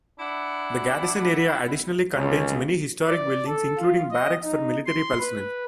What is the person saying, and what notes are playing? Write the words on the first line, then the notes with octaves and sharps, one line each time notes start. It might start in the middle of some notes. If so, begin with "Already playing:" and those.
The Garrison area additionally contains many historic buildings including barracks for military personnel.
D4 E4 F#5
C#2 C#5
D5
A4
F4
D#5
D#4
C6
B4